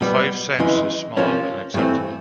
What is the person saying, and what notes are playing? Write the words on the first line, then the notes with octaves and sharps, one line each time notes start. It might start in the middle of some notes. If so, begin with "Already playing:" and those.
Five cents is small and acceptable.
B2 G3 B3
F2 C#3 E3 G#3
C3 F3 A#3 C#4
G2 E3 A3 C4